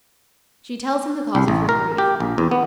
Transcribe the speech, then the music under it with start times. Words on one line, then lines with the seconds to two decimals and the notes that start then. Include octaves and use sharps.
She tells him the cause of her grief.
1.35 C2
1.48 A1
1.69 A#4
1.98 G4
2.20 A#1
2.38 E2
2.51 B3